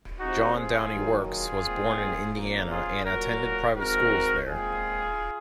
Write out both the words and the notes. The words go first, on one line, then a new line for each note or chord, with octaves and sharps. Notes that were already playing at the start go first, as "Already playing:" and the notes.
John Downey Works was born in Indiana and attended private schools there.
C3 F3 G#3 C4 D#4 F#4
F4 G#4
D#3 F#3 A#3
F4 G#4
A#2 G#3 C4
C#3 F3 A#3
F4 G#4
A#2 F#3 A#3 F#4 A#4
D#3 G#3 C4 F#4 A#4
A#2 G#3 C4 F4 G#4